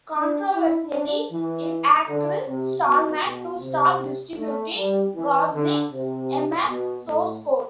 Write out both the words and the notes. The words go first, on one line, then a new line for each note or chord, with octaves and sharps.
Controversially, it asked Stallman to stop distributing Gosling Emacs source code.
D4
E4
D4
E3
D3
C3
B2
B2
C3
A3
G3
E3
D3
C3
B2
A2